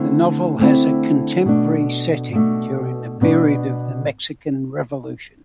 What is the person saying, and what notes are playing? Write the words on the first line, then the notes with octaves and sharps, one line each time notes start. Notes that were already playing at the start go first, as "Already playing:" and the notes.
The novel has a contemporary setting during the period of the Mexican Revolution.
Already playing: D3 A3 C4 E4
D3 A3 C4 E4
B2 A3 D4
B2 A3 D4
B2 B3 D4